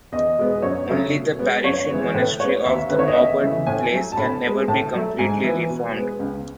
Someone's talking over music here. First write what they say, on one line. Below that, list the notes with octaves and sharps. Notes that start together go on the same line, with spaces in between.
Only the Parisian monastery of the Maubert place can never be completely reformed.
E2 D#5
B2 G#3 B3
F#2 C#5
C#3 F#3 A3
B2
G#3 B3
F#2 C#5
E3 G#3 B3
A2 B4
G#3 B3 C#5
D#2 E5
D#3 A3 B4
C#5
D#5
E2 E5
C#3 E3 A3
A2 G#5
G#5
F#3 A3
A5
A2 B5
G#3 B3
A2 A5
F#3 A3
G#2 G#5
E3 B3
B2
G#3 B3
C#2